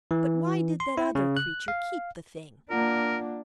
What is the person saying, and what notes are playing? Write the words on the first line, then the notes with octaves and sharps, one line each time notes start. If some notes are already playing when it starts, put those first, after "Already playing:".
But why did that other creature keep the thing?
E3
C6
E4
C#3
F#6
F5
A#3 D4 F4 A#4 F#5 A#5